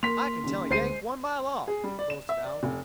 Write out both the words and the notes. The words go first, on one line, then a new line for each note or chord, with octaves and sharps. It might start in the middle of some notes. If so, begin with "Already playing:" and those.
"I can tell a Yank one mile off," boasted Alf.
A#3 A#4 C6 B6 F7
D#2 C#3
D2 G#3 G#4 C5 C7 D#7
G#4
G3
D5
E7
E5
D5
F1